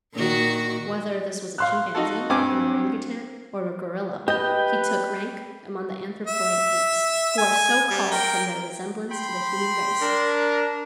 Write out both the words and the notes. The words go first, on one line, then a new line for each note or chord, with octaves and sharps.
Whether this was a chimpanzee, an orangoutang, or a gorilla, he took rank among the anthropoid apes, who are so called from their resemblance to the human race.
A#2 D#3 F#4
F5 C6 F#6
D#4 F#4 A4
G2 C4 G#5 D6
G4 B4 D#5 G5
E5
G#5
G3
A#4 G5
G5 B5 C6
D4 A#4